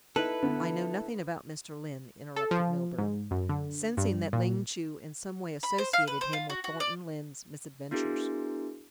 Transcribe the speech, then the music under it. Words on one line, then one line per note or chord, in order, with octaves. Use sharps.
"I know nothing about Mr. Lyne," interrupted Milburgh, sensing that Ling Chu in some way associated him with Thornton Lyne's misadventures.
D#4 E4 A4 B4
D3 B3
A4
F3
G#2
F#2
D3
G2
A#2
B5
C5
F5
B4
C5
F4
F#4
F#4
D5
B3 D4 E4 F#4 G#4 A#4